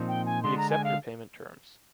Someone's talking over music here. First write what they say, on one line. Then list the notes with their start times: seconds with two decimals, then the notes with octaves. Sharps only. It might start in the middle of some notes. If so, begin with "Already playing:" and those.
We accept your payment terms.
Already playing: A#2 F3 C4 D#4
0.08 G5
0.26 G#5
0.43 D3 G#3 D4 C6
0.57 A#5
0.70 G#5
0.84 F5